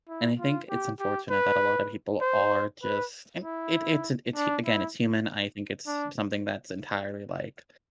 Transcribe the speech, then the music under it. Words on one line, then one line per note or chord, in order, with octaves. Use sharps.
and I think it's unfortunate that a lotta people are just it it's it's again, it's human, I think it's something that's entirely, like,
E4
F4
G4
G4
B4
C5
B4
E4
D4
E4
D4